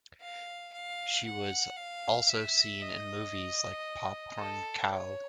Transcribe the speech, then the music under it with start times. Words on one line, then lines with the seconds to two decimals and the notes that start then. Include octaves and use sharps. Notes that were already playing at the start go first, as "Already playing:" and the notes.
She was also seen in movies like Popcorn Khao!
0.21 F5
0.73 F5
1.25 F#5
1.77 F5
2.29 E5
2.82 D#5
4.38 A4
4.91 C#5